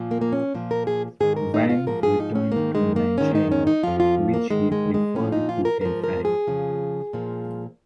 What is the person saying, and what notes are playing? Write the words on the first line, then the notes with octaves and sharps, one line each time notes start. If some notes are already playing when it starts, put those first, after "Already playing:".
Wang returned to Nanjing, which he preferred to Kaifeng.
Already playing: A#2 F3
A#3
A#3
C#4
A#2 F3
A#4
G#4
G#2 D#3 G#4
A#4
D#4
F4
G#2 F3 A#4
G#4
D#4
C#4
G#2 D#3 A#3
G#3
A#3
G#2 D#3 C#4
D#4
C#4
D#4
F2 F3 F4
F4
A#3
G#2 D#3 G#3
G#3
G#3
A#2 F3 C#4
D#4
F4
A#4
G#2 F3 A#4
A#4
G#4
F2 C#3 F3
A#2 F3